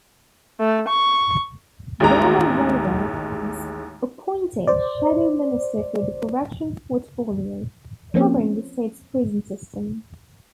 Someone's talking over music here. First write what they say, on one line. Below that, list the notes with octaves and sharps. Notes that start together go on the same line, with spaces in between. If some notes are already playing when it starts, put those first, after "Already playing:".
Dalla-Riva was appointed Shadow Minister for the corrections portfolio, covering the state's prison system.
A3
C#6
A1 D#2 G#3 A#5
C5 D5
F3 A#3 C4 C#4